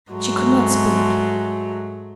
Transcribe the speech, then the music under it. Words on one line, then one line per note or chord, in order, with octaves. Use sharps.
She could not speak.
G#2 F#3 G#3 A3